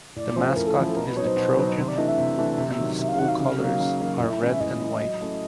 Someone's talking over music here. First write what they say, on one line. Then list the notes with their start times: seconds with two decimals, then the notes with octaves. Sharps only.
The mascot is the Trojan and the school colors are red and white.
0.16 A2 D5
0.36 F3 A3 C#4 E4 C5
0.56 A2 A#4
0.67 A4
0.76 F3 A3 C#4 E4
0.86 A4
0.97 B2 A#4
1.07 B4
1.17 F#3 B3 D#4 C#5
1.27 C5
1.37 B2
1.57 F#3 B3 D#4
1.78 C3 C5
1.88 D5
1.98 E3 A3 D4 D#5
2.09 E5
2.18 C3
2.38 E3 A3 D4
2.58 C3
2.79 D#3 F#3
2.99 C3 E5
3.08 F5
3.19 D#3 F#5
3.24 F#3 F5
3.39 C#3 F5
3.59 F#3 A#3 D#4
3.80 C#3
3.99 F#3 A#3 D#4
4.20 A2 D#5
4.30 E5
4.40 E3 G#3 C#4 E4
4.50 E5
4.60 A2 D#5
4.80 E3 G#3 C#4 E4
5.00 F#3
5.21 A3 C#4 E4